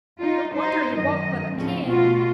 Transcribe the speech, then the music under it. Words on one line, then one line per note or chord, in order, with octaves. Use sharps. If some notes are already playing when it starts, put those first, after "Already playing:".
No wonder he walked with a cane!
D#4 F4
D#4 C5
F#2 D#3 D#5
D2 A2 C#3 F3 C4
B2 A3 F4 F#4